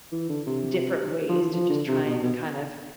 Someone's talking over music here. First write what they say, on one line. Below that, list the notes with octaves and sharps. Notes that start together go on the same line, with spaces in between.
different ways to just try and kind of
E3
D3
C3
F3
E3
F3
D3
C3
B2
B2